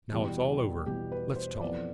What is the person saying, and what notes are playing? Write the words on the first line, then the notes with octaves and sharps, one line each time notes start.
"Now it's all over, let's talk."
E2 B2 G3
E2 B2 G3 G4
B4
C5
F2 E3 B3 D5